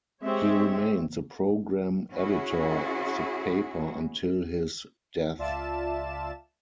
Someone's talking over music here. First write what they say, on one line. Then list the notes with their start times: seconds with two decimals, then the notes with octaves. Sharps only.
He remained the programme editor of the paper until his death.
0.23 G#3 C4 G4 C#5 E5
2.14 C#4 E4 F#4 G#4
5.38 C#2 F4 D5 E5 A5 E7